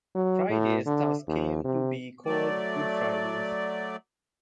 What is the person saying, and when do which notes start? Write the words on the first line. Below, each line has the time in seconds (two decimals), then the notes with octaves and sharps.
Fridays thus came to be called Good Fridays.
0.15 F#3
0.50 A2
0.86 D3
1.28 D#2
1.64 C3
2.26 F#3 A3 D5